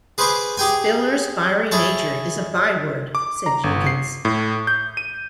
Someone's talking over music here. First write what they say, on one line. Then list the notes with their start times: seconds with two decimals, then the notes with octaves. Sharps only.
"Spiller's fiery nature is a byword," said Jenkins.
0.18 G#4 B4 C5 B5 C#6 D6
0.57 G4 G#4 G5 G#5
1.71 E4 G#4 C#5 A5
3.15 D6
3.46 A#5
3.64 G1
3.87 C7
4.25 A2
4.67 G6
4.97 D#7